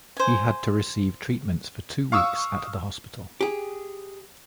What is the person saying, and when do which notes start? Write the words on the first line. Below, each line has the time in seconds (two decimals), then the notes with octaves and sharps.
He had to receive treatments for two weeks at the hospital.
0.17 C5 G#5
2.12 F5 C#6 D#6 E6
3.41 G4 G#4